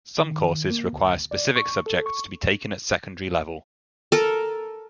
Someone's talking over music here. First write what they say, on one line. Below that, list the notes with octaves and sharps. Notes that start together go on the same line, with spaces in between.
Some courses require specific subjects to be taken at secondary level.
D#3
A#3
D2
D5
C#6
A4
C#6
A4 A#4